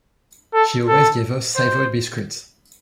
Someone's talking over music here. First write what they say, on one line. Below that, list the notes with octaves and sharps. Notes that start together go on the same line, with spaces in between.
She always gave us Savoy biscuits.
A4
A4
C5